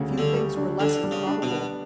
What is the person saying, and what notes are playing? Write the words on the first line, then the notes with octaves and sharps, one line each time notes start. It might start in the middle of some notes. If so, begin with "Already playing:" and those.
Few things were less improbable.
Already playing: D2 C#3
G3
D3
G3
D4
D3 D4
G3
C#3
D4
B2
B3